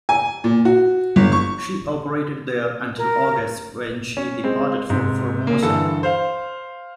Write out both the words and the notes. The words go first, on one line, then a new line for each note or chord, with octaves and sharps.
She operated there until August, when she departed for Formosa.
G#5
A#2
F#4
G1
C#6
A#4
C#4
G#3 C4
G#2 C3
A#2 A#3
G2 D3 E3 A4
C5 F5